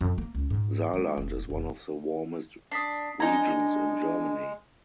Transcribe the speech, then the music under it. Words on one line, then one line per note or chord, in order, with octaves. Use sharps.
Saarland is one of the warmest regions in Germany.
F2
A#3
C#2
G#2
G#3
F1
F1
D4 D#6 B6 C7
G#3 D4 D#4 G#5 A#5 G#6